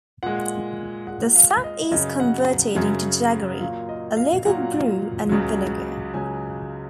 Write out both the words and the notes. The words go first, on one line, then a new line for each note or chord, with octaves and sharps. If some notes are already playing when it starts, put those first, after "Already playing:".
The sap is converted into jaggery, a local brew and vinegar.
A#2 G#3 F#5
A#2 G#3 F#5
F5
D#5
F#2 C#3 F#3 D#5
F#5
F#2 C#3 F#3
A#2 F#3 A#3 F5
D#5
F5
A#2 F#3 A#3 F#5
C#2 C#3 F#3
C#2 C#3 F#3 G#5